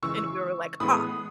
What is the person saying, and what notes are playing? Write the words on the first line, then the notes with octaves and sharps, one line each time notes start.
And we were like, "Ah."
C#3 E3 G#3 C#6 E6
A2 E3 G#3 B3 B5 D#6